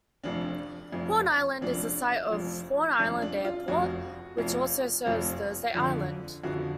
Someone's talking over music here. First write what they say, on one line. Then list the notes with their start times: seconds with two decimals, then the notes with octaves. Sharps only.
Horn Island is the site of Horn Island Airport, which also serves Thursday Island.
0.24 F1 F2 F3 D4
0.92 F1 F2 F3
1.61 F1 F2 F3 D4
2.31 F1 F2 F3
2.99 F1 F2 F3 D4
3.22 D4
3.45 F4
3.68 F1 F2 F3 F#4
4.37 F1 F2 F3
5.06 F1 F2 F3
5.75 F2 D3 F3
6.44 F2 D3 F3 F#4